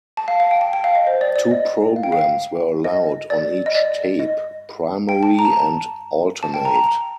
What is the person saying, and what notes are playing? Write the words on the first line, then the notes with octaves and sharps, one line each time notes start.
Two programs were allowed on each tape: primary and alternate.
A5
F5
F5
G5
A5
G5
F5
D#5
C5
D5
D5
D#5
F5
G5
F5
D#5
D5
D#5
D5
D#5
G5
A5
A#5
A5
A#5
A5
G5
A#5
A#5
A#5